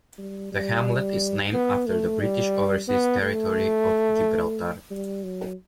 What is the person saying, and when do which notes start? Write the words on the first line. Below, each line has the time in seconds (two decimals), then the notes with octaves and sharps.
The hamlet is named after the British Overseas Territory of Gibraltar.
0.18 G3
0.52 G3
1.53 B3
1.87 A3
2.20 G3
2.88 B3
3.22 A3
4.90 G3
5.24 F#3